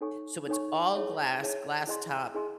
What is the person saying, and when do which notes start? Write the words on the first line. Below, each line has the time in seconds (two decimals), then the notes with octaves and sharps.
so, it's all glass, glass top,
0.01 D#4 A4 C#5 G#5 C#6
0.48 D#4 A4 C#5 G#5 C#6
0.94 E4 G#4 C#5 E5 A5
1.41 E4 G#4 C#5 E5 A5
1.87 E4 G#4 D#5 G#5 C6
2.35 E4 G#4 D#5 G#5 C6